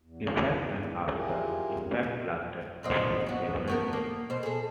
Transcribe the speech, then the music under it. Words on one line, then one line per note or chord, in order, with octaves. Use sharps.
Effects and after-effects lasted up to several days.
E2
E4 F4 G4 G#4 A#4
A#2 C4 D#5
F#3 B3
A3 B3 A#4
A#3
B2 C5
G#4 A4